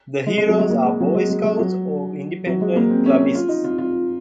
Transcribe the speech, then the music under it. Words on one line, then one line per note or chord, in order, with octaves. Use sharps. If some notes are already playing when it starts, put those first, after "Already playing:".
The heroes are boy scouts or independent clubbists.
G#3
G#3
F#3
G#3
A#3
G#3
F#3
G#3
G#3
G#3
F#3
F#3
G#3
A#3
C4
C#4
F4
D#4
F4
F4